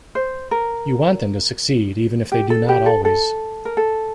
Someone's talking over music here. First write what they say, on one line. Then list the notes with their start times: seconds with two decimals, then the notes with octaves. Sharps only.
You want them to succeed, even if they do not always.
0.15 C5
0.51 A#4
2.32 G4
2.50 A4
2.69 G4
2.86 A4
3.05 A4
3.65 A#4
3.77 A4